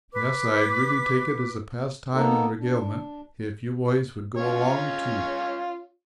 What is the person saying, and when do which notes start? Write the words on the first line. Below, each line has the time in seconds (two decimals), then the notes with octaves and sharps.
Yes, I'd really take it as a pastime and regalement if you boys would go along too.'
0.12 B4 D6
2.14 A#3 B3 D#4 A4
2.59 D4
4.37 C#4 F4 C#5